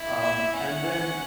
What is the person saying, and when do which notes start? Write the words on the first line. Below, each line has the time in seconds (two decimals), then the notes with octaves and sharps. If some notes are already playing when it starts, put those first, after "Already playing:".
Um, and then
Already playing: E4
0.21 E5
0.53 C#4 F#5
0.86 C#4